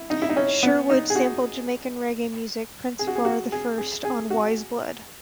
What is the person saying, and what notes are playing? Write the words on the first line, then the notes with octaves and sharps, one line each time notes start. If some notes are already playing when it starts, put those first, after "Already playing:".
Sherwood sampled Jamaican reggae musician Prince Far I on "Wise Blood".
Already playing: E4
D#4
E4
D#4
C#4
B3
D#4
G#4
F#4
G#4
F#4
G#4
F#4
G#4
G#4
G#4
F#4